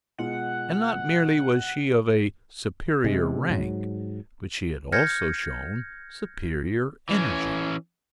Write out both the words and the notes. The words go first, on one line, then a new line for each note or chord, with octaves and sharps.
And not merely was she of a superior rank, but she had also shown superior energy.
B2 G#3 F4 F#5
C3 G#3
G#2 F#3
F6 G6 G#6 A#6 C#7
E3 C#4